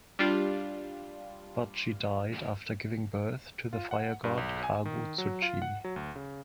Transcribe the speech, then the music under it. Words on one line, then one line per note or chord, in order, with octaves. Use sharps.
But she died after giving birth to the fire-god Kagu-tsuchi.
G3 D4 F4
F4
F#5
G2
B1
G#5
D#3
F#3
F4
F#5
F#3
D2
C#3